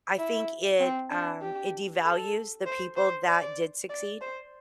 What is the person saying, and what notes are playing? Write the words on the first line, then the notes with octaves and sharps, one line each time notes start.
I think it, um, it devalues the people that did succeed.
E4
C4
D4
G4
A4
C5
C5
D5
D5
C5